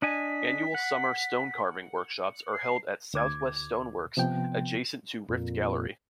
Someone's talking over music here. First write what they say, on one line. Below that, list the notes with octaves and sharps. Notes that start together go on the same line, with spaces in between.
Annual summer stonecarving workshops are held at Southwest Stoneworks adjacent to Rift Gallery.
D4 D#5 G#5 B6
F#5
C7
D2 D6 G#6
C3 F3 B3 G5
F2 A#2